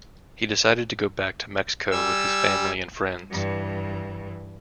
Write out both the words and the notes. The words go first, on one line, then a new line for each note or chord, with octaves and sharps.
He decided to go back to Mexico with his family and friends.
G3 G#5 E6
G2 E3